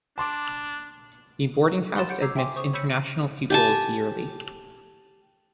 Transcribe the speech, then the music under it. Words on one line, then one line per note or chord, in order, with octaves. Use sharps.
The boarding house admits international pupils yearly.
D4 A5 C6 D6
F#5 B5 C6 A6 E7
G4 C#5 F#5 G6 C#7 D7
A#5 D6 E6 G6 G#6 C7
E5 G5 G#5 C6 D6
C5 C#6 D#6
C#5 B5 E6 G6 B6 C#7
G4 G#5 A5